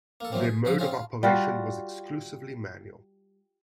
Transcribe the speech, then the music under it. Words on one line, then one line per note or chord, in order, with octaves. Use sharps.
Their mode of operation was exclusively manual.
A#3 A4
C3 E3 F#3 A#3 C4
G#4
C2 F3 F#4 D6 D#6
C4 C#4 D#4 F4 G#4 C5
F4
G3 F4 F#4